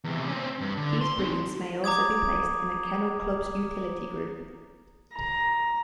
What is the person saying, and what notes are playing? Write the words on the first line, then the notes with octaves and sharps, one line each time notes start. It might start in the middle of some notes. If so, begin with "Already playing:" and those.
These breeds may also be placed in a kennel club's Utility Group.
E2 C3
C4 C#4
G2
D3
C6
C4 D#4
A#5 D6 D#6 G#6
A#5